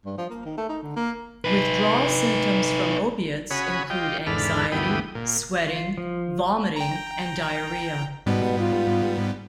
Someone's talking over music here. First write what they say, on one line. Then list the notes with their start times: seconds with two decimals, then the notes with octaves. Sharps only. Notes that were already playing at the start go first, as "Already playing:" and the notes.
Withdrawal symptoms from opiates include anxiety, sweating, vomiting, and diarrhea.
0.05 G2
0.18 F3
0.30 A#3
0.45 D#3
0.57 A3
0.69 D#4
0.82 D3
0.96 A#3
1.45 D#4 B4
3.50 C#3 F#4 C#5 G#5 B5 D#6
3.90 F4 G4 D#5 G5
4.26 E2 G#2 D4 A4 B5 F6
4.72 D2 G2 E3 B3 G5 D#6
5.15 A#2
5.68 F4
5.98 F3
6.76 G5 A#5
8.26 G#2 B2 G3 B3
8.60 F4